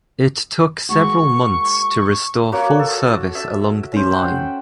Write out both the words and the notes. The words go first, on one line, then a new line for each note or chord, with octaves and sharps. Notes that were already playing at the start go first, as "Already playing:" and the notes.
It took several months to restore full service along the line.
G#3 A#3 F#4 C#6
A#3 F#4 C#5 D6
A4
E5 A5
C#4 C5
F#5 G5